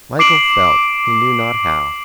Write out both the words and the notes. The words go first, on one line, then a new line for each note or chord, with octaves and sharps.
Michael felt he knew not how.
D6 C7 D7 F#7